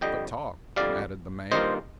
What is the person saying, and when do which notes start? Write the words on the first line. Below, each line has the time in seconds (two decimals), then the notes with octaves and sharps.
"But talk," added the mate.
0.01 F2 D3 G3 D#5 G5
0.76 F2 D3 G3 D5 F5
1.52 G2 D#3 A#3 F4 C5 D#5